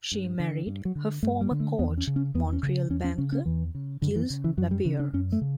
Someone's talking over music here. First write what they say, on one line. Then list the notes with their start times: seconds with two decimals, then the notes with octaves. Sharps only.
She married her former coach, Montreal banker Gilles Lapierre.
0.12 G2
0.39 D3
0.67 G2
0.85 F#3
0.95 D3
1.23 G2 A3
1.41 G3
1.51 D3
1.60 A3
1.79 E2 B3
1.98 C#4
2.07 C#3
2.16 C#4
2.34 E2 B3
2.53 C#4
2.63 C#3
2.90 E2 C#4
3.04 C#4
3.18 C#3 C#4
3.32 C#4
3.45 E2 E3
3.75 C#3
4.02 F#2 D3
4.15 E3
4.30 C#3
4.44 E3
4.57 F#2 F#3
4.71 G3
4.85 C#3 E3
5.00 D4
5.13 F#2 C#4
5.32 A3
5.41 C#3